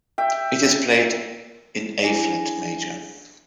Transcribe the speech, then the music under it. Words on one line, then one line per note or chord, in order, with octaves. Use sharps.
It is played in A-flat major.
E5 G5
D4 E4 G#4 G#5 A#6